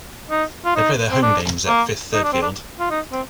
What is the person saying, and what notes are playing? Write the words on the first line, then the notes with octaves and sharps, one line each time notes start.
They play their home games at Fifth Third Field.
D#4
F4
D#4
C4
D4
A#3
D#4
D4
C4
D4
F4
D#4
C4